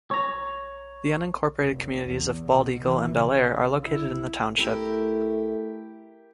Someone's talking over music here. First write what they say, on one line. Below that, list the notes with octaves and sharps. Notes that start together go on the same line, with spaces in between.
The unincorporated communities of Bald Eagle and Bellaire are located in the township.
C#5 A#5
F1
E2
B2
E3
C#3
E4
A3 E4 G4 A#4